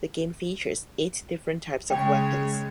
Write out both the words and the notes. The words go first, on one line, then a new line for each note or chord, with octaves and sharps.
The game features eight different types of weapons.
C#3 G#3 C#5 G5